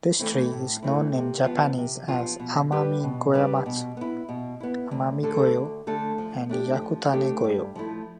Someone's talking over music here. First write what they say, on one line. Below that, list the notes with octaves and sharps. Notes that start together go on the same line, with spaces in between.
This tree is known in Japanese as "amami-goyamatsu", "amami-goyo", and "yakutane-goyo".
E3 A3 C4 E4
A2
E3 A3 C4 E4
C3
F3 B3 F4
C3
F3 B3 F4
B2
G3 D4 G4 B4
B2
G3 D4 G4 B4
B2
B3 E4
B2
B3 E4
D2
D3 A3 D4 A4
D2
D3 A3 D4 A4
F3
A3 D4 G4
F3
A3 D4 G4
G2
F3 A3 E4